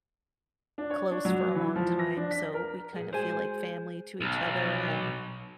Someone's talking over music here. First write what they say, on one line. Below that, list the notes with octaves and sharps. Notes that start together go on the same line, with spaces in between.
close for a long time, so we kinda feel like family to each other, and,
D4
C#5
D4
F#3
E3
F3
A#6
D4
B6
A#4
A#2 G#4 F#5
G#3 F#4 G#4 C5 G#5
B1